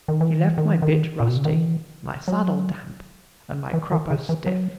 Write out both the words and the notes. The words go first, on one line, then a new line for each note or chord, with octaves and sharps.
He left my bit rusty, my saddle damp, and my crupper stiff.
D#3
E3
D#3
E3
D#3
E3
D#3
A#2
B2
C#3
D#3
E3
F#3
E3
D#3
C#3
E3
F#3